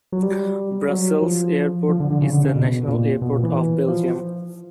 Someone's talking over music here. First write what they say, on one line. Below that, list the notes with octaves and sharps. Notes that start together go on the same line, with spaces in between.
Brussels Airport is the national airport of Belgium.
F#3
G3
F#3
F3
F3
D3
D3
C#3
D3
C#3
B2
A#2
B2
A#2
E3
F3